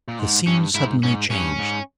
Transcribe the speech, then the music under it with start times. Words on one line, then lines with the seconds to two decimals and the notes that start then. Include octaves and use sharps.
The scene suddenly changed.
0.08 A#2
0.19 G#2
0.47 G2 C#4
0.75 G#2 E4
1.03 G#2 C#4
1.31 G2 C#4
1.59 G#2